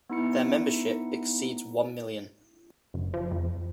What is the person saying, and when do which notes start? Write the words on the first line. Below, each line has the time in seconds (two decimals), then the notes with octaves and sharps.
Their membership exceeds one million.
0.10 B3 D#4 E4 C#7
2.94 F#1
3.14 F3
3.31 F2